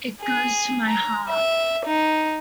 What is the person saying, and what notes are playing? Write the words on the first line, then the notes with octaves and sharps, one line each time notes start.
It goes to my heart.
G#4
A#5
E5
D#4